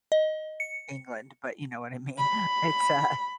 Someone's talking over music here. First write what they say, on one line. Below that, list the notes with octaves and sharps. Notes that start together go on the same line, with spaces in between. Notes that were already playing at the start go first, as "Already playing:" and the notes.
England, but you know what I mean. It's uh
D#5
C#7
B5